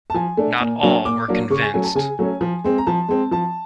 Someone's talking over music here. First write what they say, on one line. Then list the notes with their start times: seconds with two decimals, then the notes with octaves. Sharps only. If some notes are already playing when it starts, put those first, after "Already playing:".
Not all were convinced.
0.10 A5
0.14 F3 G#5
0.37 A3 D4
0.60 A#2
0.83 F#3 A#3 D4
1.05 A#2 D6
1.28 F#3 A#3 D4
1.50 C#3 C#6
1.62 G#5
1.74 F#3 A3 C#4 G#5
1.84 A5
1.95 C#3 G#5
2.19 F#3 A3 C#4
2.41 F3
2.64 G#3 C4
2.78 A#5
2.87 F3 A5
3.08 G#3 C4
3.31 F3 A5